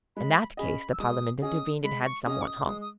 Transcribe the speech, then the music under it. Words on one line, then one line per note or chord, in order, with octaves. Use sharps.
In that case, the parliament intervened and had some one hung.
G#3 B5
C#4 G#4 D#5 B5
E6
G#3 D#6
C#4 G#4 D#5 D#6
G#3 B5
C#6
C#4 G#4 D#5 D#6
C#6
D#6
G#3 D#6
D#6